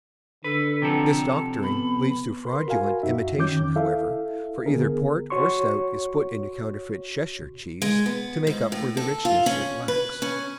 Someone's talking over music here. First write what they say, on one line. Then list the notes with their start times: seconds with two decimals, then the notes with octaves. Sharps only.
This doctoring leads to fraudulent imitation, however, for either port or stout is put into counterfeit Cheshire cheese to make up for the richness it lacks.
0.44 D3 A4 B4
0.82 C3 F3 A4 A#5
1.63 B3 B5
2.45 A#4 B4 B5 C6
2.68 F#4 A#4 F5 G#5
3.03 F#2 D#4 F#4 E5
3.38 D#3 C#4 D6 G6
3.76 E4 A4 E5 F5
4.66 D3 B3 G#4 A#4
5.30 F#4 C#5 C6 C#6
7.82 G#3
8.06 B3
8.47 G#2
8.72 A2
8.97 A4
9.25 F4
9.46 C#4
9.88 B4
10.22 C#4